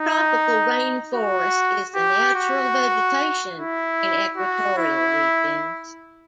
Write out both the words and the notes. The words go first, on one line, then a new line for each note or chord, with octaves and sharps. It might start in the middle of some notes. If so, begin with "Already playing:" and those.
Tropical rainforest is the natural vegetation in equatorial regions.
Already playing: D#4
F#4
G4
F#4
E4
F#4
E4